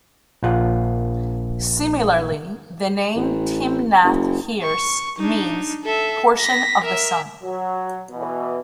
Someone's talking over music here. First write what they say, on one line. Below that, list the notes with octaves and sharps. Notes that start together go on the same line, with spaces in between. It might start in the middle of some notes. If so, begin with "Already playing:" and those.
Similarly, the name "Timnath-heres" means "portion of the sun".
A#1 F4 F#5
A1
F#1
C#6
D4 D#4
A4 E5
A#6 B6
A#4 E5
F#3
B2 E3